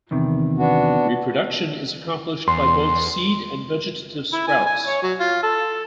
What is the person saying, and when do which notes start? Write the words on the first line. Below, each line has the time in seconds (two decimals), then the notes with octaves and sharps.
Reproduction is accomplished by both seed and vegetative sprouts.
0.11 E2 C3 D#3
0.58 B3 D4 F#4
2.48 E2 C6
4.32 E4
4.48 G#5
4.66 G#5
4.87 C#5
5.02 F#3
5.20 F4
5.43 A4